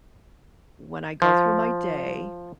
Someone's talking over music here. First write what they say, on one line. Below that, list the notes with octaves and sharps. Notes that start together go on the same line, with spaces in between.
when I go through my day,
F3